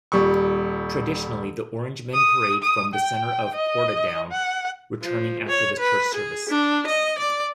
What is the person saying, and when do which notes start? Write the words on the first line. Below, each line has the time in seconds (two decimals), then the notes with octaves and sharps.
Traditionally the Orangemen parade from the centre of Portadown, returning after the church service.
0.12 D#1 G3 C#6
2.14 D#6
2.63 D#6
2.94 G5
3.55 D#5
4.32 F#5
5.03 F3
5.49 C#5
5.79 B4
6.15 G#4
6.49 D4
6.87 D#5
7.18 D5